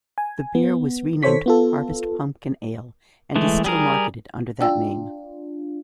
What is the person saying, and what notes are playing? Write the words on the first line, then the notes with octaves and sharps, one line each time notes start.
The beer was renamed "Harvest Pumpkin Ale" and is still marketed under that name.
G#5
B3
D#3 A4 C5 C#5 C#6 B6
B3 F4 A4
E3 G#3 A3
G3 G#4 A#4
D4 F4 G5 E6